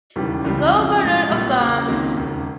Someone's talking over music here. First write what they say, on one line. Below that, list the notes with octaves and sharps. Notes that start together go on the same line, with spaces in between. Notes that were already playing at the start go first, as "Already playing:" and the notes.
Governor of Guam.
E1 D#2 C#3 E3 G3
C#2 C#3 E3 G3
F2 C#3 F3
B1 A2 F3 G#3
A#1 A#2 G3
E2 C#3 F#3 A#3
C#2 C3 D#3 F#3 A#3
E1 D#2 C#3